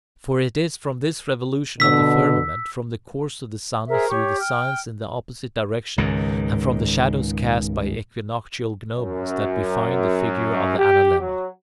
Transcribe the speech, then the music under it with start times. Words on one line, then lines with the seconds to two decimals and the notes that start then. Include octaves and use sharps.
For it is from this revolution of the firmament, from the course of the sun through the signs in the opposite direction, and from the shadows cast by equinoctial gnomons, that we find the figure of the analemma.
1.80 B2 D3 E6 B6
3.88 G#4 A#4 C5 E5
4.10 G4 C#5 C#6
4.39 G5 F6
5.98 C#2 G#2 D#3
8.98 F#2
10.79 G4
11.19 F#3